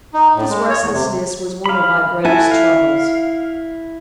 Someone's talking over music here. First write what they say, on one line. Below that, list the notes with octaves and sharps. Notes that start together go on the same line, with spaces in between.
This restlessness was one of my greatest troubles.
D#4
A2
G#3
C#5
E2
C3
F5 B5
E4 F#4 A4 G#5
F5